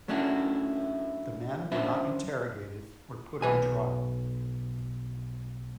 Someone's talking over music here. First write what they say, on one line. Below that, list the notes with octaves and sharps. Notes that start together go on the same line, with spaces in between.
The men were not interrogated or put on trial.
F#3 A3 C#4 D4 E4 F#4
F#2 D4 C5 E5 B5
B1 B4 G#5